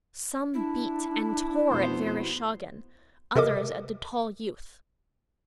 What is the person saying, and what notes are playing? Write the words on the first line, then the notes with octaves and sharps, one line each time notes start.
Some beat and tore at Vereshchagin, others at the tall youth.
D4 E4
F1 B2 B3 C5
C3 A4 A#4 D#5 D6